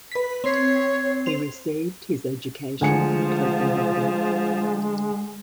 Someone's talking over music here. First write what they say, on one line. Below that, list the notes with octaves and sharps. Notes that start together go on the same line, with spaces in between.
He received his education in Copenhagen.
B4 B6
C4 C#5 C7
C5 F7
D2 F3 G#3 G#5 C#7